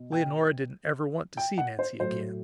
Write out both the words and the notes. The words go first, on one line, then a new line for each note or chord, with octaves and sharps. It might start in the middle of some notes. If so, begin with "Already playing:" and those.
Leonora didn't ever want to see Nancy again.
Already playing: B2
G5
G5
F#5
C5
A2 F#3 C5